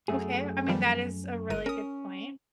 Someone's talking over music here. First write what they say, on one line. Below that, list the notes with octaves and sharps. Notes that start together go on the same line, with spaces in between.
Okay. I mean, that is a really good point.
F#2 A3 G#4
D#3 F3 G3
G1 A#4 D#7
C#4 A#4 D#6